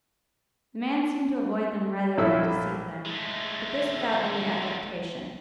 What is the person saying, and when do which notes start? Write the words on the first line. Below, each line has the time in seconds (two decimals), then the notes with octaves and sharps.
The man seemed to avoid them rather than to seek them, but this without any affectation.
2.18 A#1 E4 A4 C#5 E6
3.05 G#3 A3